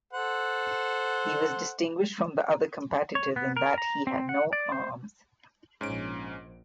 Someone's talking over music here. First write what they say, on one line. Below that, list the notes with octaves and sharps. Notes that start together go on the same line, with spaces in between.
He was distinguished from the other competitors in that he had no arms.
A4 C5 F#5
C#5
B3
A#4
A#5
C4
F#5
D5
C5
A#1 G#2 C#4 D7